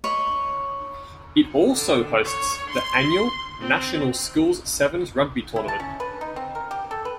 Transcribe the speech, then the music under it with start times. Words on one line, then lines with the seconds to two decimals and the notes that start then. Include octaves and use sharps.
It also hosts the annual National Schools Sevens rugby tournament.
0.04 C#5 D#5 B5
1.74 D3
2.24 C#5
2.70 C6
3.61 C4
5.56 E4
5.68 A5
5.80 C#4
6.00 B4
6.21 D#4
6.36 C4
6.55 A#4
6.71 G4
6.91 A4
7.05 B4